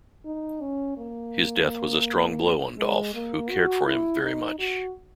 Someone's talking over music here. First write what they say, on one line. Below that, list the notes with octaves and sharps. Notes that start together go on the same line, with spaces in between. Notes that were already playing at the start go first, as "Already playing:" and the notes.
His death was a strong blow on Dolf, who cared for him very much.
D#4
C#4
A#3
G#3
A#3
F#4
E4
D#4
F#4